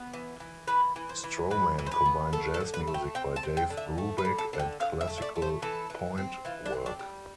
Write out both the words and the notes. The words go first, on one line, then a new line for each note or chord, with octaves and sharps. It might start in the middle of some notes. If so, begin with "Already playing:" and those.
Stroman combined jazz music by Dave Brubeck and classical pointe work.
Already playing: B3
E3
E3
E3 B4
E3
C5
E3
E3 B4
E3
C5
B4
B3
A3 A4
A4
D3
B4
A3
G5
C4 G5
A5
C4
G5
D3
E5
A3
B4
D3
A4
D3
G5
D3 F5
E5
A3
E5
D5
A3
C5
E3 A4
E3
C4
E3 F4
D4
C4
D4
G3